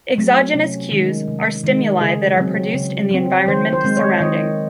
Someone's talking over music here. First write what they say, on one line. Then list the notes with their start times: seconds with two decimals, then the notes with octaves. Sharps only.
Exogenous cues are stimuli that are produced in the environment surrounding.
0.18 F#3 A3 C4
0.54 C3 C#4
0.92 D#3 G#3
1.28 C3
1.64 D#3 G#3
2.01 C#3 G#4
2.37 F#3 C4
2.74 C#3
3.10 F#3 C4
3.47 D#3 C5
3.73 C5
3.84 G#3 C4
3.97 C#5
4.20 D#3 D#5